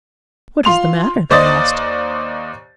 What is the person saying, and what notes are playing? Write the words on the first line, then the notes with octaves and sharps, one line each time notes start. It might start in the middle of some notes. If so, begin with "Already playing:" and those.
"What is the matter?" they asked.
F4 C6 F7
D#2 C5 D5 D#5 D#6 A6